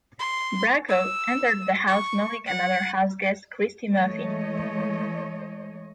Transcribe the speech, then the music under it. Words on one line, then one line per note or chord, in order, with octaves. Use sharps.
Bracco entered the house knowing another houseguest Christie Murphy.
C6
E6
C#6
F#5
E3 G#3 A3 C#5 D#5